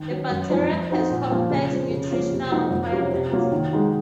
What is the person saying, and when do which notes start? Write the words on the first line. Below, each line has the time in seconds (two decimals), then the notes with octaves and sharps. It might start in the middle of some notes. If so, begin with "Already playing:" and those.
The bacterium has complex nutritional requirements.
Already playing: D#3
0.10 F#3 C#4
0.30 F#2
0.50 F3 C4 D#4
0.71 F3
0.90 C4 D#4 F#4
1.11 A#2
1.30 F3 A#3 F4
1.50 C#3
1.71 F3 C4
1.91 C#3
2.11 F3 A#3 C#4 F4
2.31 C3
2.51 F3 A#3 D#4 F#4
2.71 F2
2.91 C3 F#3 C#4 F4
3.11 C3
3.32 F#3 A#3 F4
3.51 D#3
3.72 G#3 D#4 F#4